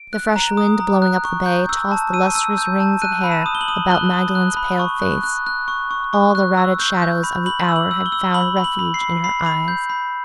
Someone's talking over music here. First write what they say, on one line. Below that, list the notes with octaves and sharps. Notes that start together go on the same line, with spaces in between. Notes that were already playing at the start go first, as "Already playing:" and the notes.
The fresh wind, blowing up the bay, tossed the lustrous rings of hair about Magdalen's pale face; all the routed shadows of the hour had found refuge in her eyes.
Already playing: D7
F#6
A#5
D#6
A#5
F#6
C#6
G6
E6
A5
E6 D#7
E6
G6
A5
F#6 D#7
B5
E7
D#6
G7
F#7
D#6
F#6 G7
D#6
F#6
B5
C#6
F#6
F#6
F#6
C#6
C#6
C#6
F#6
E6
G6
G6
B5
B5 F#7
E6
F#7
E6
G7
E6
B5 F#7
B5
F#7
B5
C7
B5
B5 C7
B5
G6
B5